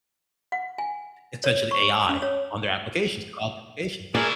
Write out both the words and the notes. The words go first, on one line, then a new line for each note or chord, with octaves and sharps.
essentially AI on their applications, their college applications.
F#5
G#5
C#5
C#6
C#4
C#5
B2 E4 G#4 A#4 D5